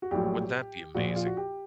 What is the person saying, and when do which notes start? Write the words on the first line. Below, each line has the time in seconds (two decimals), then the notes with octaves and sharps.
Wouldn't that be amazing?
0.02 F#4
0.11 A#1 A2 F#3 G4
0.95 A#1 A#2 F3 F#4
1.16 F4
1.26 F#4
1.37 G4